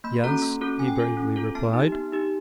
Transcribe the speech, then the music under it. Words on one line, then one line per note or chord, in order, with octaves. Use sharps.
"Yes," he bravely replied.
A#3 B5
C#4 F#4 A4 A#5
A#3
C#4 F#4 A4
C#4 G#5
G5
F4 A4 G#5
C#4
F4 A4
B3 A5
D#4
G4
B3
D#4 G4